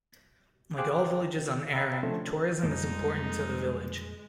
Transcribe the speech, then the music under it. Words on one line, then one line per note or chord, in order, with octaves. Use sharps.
Like all villages on Arran, tourism is important to the village.
G#4 C5 F5 G5 D6 F#6
D#3
D#5 F5 G5 A#5 B5 E6
D3 F3 A3 C#4 A4 C5
F2 A#2 D3 F3 G3 G#3 A#3 D#4